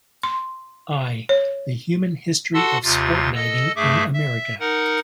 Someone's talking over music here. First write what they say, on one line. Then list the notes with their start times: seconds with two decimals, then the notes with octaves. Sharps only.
I, the Human History of Sport Diving in America.
0.23 C6
1.29 C#5
2.54 F#4 A4 F#5 A5 C6 E6
2.83 D#2 C3 F4 A6
3.35 A4 D#5 E6
3.76 G2 A3 G#4 E5 D6
4.13 E5
4.60 D#4 A#4 F#5